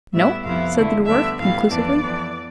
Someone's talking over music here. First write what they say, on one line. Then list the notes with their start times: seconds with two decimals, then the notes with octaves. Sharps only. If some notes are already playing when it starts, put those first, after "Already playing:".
"No," said the dwarf, conclusively.
0.14 A2 G3 B3 E4 E5
0.44 F2 C3 F3 B3 E4 F5
0.76 D3 A3 E4
1.07 D2 D3 G3 B3 D4 E5
1.38 A2 E3 G3 B3 F5
1.70 F2 E3 B3 D4 D5
2.01 F2 E3 B3 D4